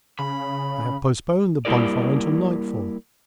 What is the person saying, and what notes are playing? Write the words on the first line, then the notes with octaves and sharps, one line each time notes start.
I have postponed the bonfire until nightfall.
C#3 B5
G3 A#3 E4 G4 A#4 D5